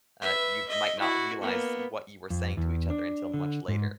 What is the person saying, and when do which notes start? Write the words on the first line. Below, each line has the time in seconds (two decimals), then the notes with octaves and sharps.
uh, you might not realize what you were saying to each other until much later.
0.21 B4 E5
0.68 D#5 E5
0.99 E4 F#4
1.41 A#3 B3
2.30 F2
2.57 E2
2.90 D4
3.34 D3
3.68 G#2